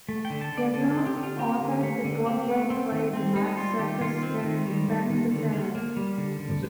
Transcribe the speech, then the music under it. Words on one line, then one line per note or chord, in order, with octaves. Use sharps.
Gazzo authored the Broadway play "The Night Circus" starring Ben Gazzara.
A3
G5
D3
A5
D3
D5
D3 A4
C4 A4
G4
D3
F4
C4 G4
D3
A3
D3
C4
A3
C4
D#3
C4
G3 D#4
G3 F4
D#3 G4
D#3 F4
C4
D#3
G3
D#3
D#3
D3
A#3
A#3
G3
D3
D3